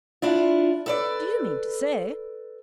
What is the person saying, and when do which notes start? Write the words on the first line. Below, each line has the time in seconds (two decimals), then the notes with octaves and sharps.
Do you mean to say--?'
0.22 D4 E4 F4
0.86 A4 B4 D5